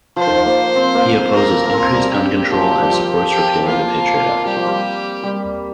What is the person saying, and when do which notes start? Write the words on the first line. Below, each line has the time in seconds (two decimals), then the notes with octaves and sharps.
He opposes increased gun control and supports repealing the Patriot Act.
0.16 F3 C5
0.27 D#3
0.36 F3
0.46 A#3
0.76 C4
0.95 A#3
1.34 A#4
1.65 A#3
1.73 C4
1.93 G3
2.12 G4
2.51 F3
2.79 G3
2.90 F3
3.29 G4
3.68 A#3 F4
4.46 G3 G4
4.56 F3
4.67 G3
5.23 G3